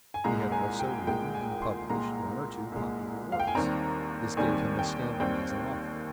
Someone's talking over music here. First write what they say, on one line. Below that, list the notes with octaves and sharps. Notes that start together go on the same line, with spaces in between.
He had also written and published one or two popular works; this gave him a standing as an author.
G#5
C2 A#2 G#3 A#5
G#5
G5
C2 A#2 G#3 G5
G#5
C6
C2 A#2 G#3 A#5
C2 A#2 G#3
F5
G5
G#5
D#2 D#3 G3 C4 A#5
D#2 D#3 G3 C4 G#5
G5
D#2 D#3 G3 C4 G5